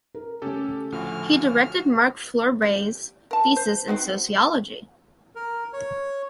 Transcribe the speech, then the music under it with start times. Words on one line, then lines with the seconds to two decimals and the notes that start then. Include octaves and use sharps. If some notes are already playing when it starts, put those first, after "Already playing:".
He directed Marc Fleurbaey’s thesis in Sociology.
0.15 A#4
0.42 C#3 A3 C#4 G4 A4
0.92 D2 A2 F3 F#4 F6
2.62 G3
3.31 A#4 A5
3.56 C5
3.88 C4 D#4 F#4
5.35 A#4
5.73 C#5